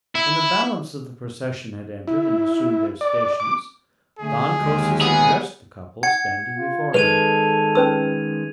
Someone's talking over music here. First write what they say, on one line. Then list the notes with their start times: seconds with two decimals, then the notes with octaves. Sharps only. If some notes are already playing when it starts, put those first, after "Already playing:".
When the balance of the procession had entered and assumed their stations Than Kosis addressed the couple standing before him.
0.15 E4
2.08 E4
3.01 D5
3.40 D6
4.19 D3 A3 G#4
4.61 D#2 G#3 G4
5.01 B3 G#4
6.03 F#5 G#6 C#7
6.57 F4
6.94 D#3 G#3 A4 B4 G#6 D#7 F7
7.75 C#4 B4 E6